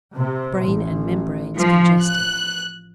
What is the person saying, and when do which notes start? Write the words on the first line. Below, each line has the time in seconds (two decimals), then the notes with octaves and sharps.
Brain and membranes congested.
0.15 C3
0.64 A1
1.56 F3
2.02 F#6